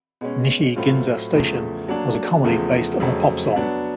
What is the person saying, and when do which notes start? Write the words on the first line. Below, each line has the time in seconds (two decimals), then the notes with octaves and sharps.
"Nishi Ginza Station" was a comedy based on a pop-song.
0.21 B2 G#3 C#4
0.76 A2 F#3 A3 C4 F4
1.32 E2 C#3 F3 A3
1.88 F#3 A#3 D4
2.44 E2 C#3 F3 A3
3.00 F2 C#3 F#3 A3 C4
3.56 F#3 B3 D4